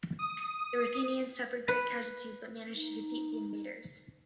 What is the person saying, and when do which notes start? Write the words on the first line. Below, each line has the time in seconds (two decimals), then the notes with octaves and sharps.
The Ruthenians suffered great casualties, but managed to defeat the invaders.
0.19 D#6
1.68 B4
2.75 D#4